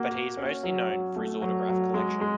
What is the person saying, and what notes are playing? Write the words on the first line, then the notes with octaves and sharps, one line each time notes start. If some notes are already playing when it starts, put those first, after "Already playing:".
But he is mostly known for his autograph collection.
Already playing: A#3 F#4
F#4
C#4
F#3
F#3
A3
F#3
F#3
G#3
G#3